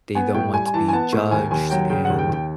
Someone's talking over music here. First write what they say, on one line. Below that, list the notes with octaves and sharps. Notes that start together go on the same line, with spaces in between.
they don't want to be judged, and
B3 G#5
A2 G5
G3 G#5
G#5
E3 A5
G#5
B3 A5
A2
D#2 G#5
D#2 G#5
F#3 G5
C#3 G5
F#5
D#2
G5
D#2 G5